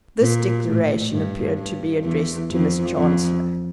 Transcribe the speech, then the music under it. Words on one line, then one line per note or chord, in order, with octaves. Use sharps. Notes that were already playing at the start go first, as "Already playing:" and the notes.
This declaration appeared to be addressed to Miss Chancellor.
A#2
A2
G2
G2
E2
F2
F2